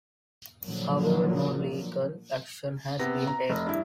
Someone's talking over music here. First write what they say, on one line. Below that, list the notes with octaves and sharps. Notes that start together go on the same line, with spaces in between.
However, no legal action has been taken.
A#2 D3 F3 F#3 A#3
C3 B3 A#6
A#5
F1
G2 E4